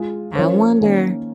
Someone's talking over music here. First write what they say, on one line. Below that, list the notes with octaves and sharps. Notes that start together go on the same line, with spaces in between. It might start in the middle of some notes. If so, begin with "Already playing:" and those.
I wonder.
Already playing: G#3 F4 G#4
F3 C#4 A#4 C#5
D#3 A#3 C#4